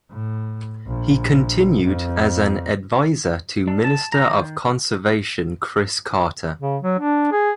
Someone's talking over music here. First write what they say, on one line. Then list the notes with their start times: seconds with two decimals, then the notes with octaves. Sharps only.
He continued as an adviser to Minister of Conservation Chris Carter.
0.11 A2
0.88 A#1
1.85 F2
3.68 D4
3.84 A5
4.12 A#5
4.30 D#3
6.60 C#3
6.83 F#3
6.99 D4
7.32 G#4